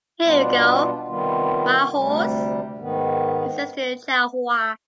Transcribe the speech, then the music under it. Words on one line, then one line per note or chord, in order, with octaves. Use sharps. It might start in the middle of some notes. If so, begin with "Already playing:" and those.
Here you go my horse, he says to Jahoua.
B2 G3 B3 D4 F4
C3 D#3 G3 B3 F4
D2 C3 G3
G#2 D#3 B3